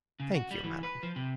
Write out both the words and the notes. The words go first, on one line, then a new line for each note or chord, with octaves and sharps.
"Thank you, madam."
C#3
F#4
G3
E3
B4
F3
C3